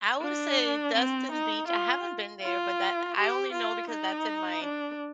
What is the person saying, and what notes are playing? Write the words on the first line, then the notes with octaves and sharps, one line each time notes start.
I would say Destin Beach, I haven't been there, but that I only know because that's in my
D4
C4
D#4
F4
F4
G4
F4
D#4
D4